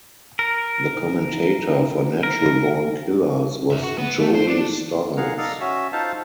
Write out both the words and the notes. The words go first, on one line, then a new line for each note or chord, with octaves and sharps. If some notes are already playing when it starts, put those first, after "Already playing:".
The commentator for Natural Born Killaz was Joey Styles.
A#4
A#4
D#2 E5
F#4
B3
A3
C5
D4
G#4 F5 F#5 A#5
A4 D5 D#5 F5 A#5
C#4 F#4 E5
D#4 F4 A4 C5 F5 A5